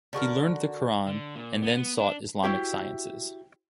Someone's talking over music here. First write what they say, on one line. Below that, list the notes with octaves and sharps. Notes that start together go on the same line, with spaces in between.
He learned the Qur’an and then sought Islamic sciences.
D3 F#4 G#4 A#4
D3
A#2
B3
B3
D4
E4 F#4 G4 C5